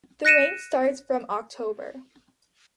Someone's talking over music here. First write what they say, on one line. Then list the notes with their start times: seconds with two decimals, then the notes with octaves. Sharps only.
The rain starts from October.
0.25 F#6 A#6 C#7 D#7 E7